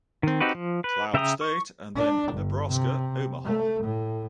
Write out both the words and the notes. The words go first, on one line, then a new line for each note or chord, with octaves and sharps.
Cloud State and then Nebraska–Omaha.
D#3 C4
C4 D#4 F#4 G4 B4
F3
B4
C#3 E5 G5 A#5 D#6
C#6
D4
G1
C3
A3
A2